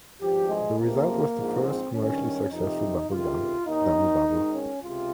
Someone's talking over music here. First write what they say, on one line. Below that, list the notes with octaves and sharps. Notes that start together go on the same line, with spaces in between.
The result was the first commercially successful bubble gum, Dubble Bubble.
G#1 G2 F3 G4
G#3
C#2 C3 F3 A#3
A#1 G#2 F3
C4
G#1 G2 D#3 C#4
F2 C3 F3 D#4
C#2 C3 D#3 F4
D#2 D#3 D#4
G#1 G#2 D#3
C#4
C#2 C3 F4